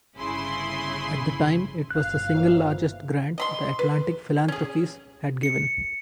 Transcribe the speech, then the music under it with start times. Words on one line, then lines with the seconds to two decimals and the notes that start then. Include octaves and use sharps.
At the time, it was the single largest grant the Atlantic Philanthropies had given.
0.16 G1 C#3 E4 G#5 B5 C6
1.90 G1 F5 F#6
2.31 A#2 E3 F3
3.38 D#5 B5 C6
3.79 B4
4.48 C#4 G#4
5.43 C#7